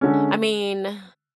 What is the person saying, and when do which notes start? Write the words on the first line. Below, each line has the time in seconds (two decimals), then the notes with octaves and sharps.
I mean,
0.01 D3 G#3 C#4